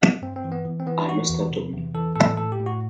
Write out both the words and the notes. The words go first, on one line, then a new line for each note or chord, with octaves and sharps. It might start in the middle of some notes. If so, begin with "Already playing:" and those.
I must have done.
G2 C4
C4
E3
B3
E3
C4
E3 B3
E4
E3 F#4
E2
C3
E2
E3 A4
A2 A4
A2 A4
G4
A2
F#4